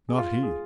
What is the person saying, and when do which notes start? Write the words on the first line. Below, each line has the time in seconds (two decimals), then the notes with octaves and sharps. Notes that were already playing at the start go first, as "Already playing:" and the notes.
Not he!
0.09 G#4
0.18 F4
0.43 G#4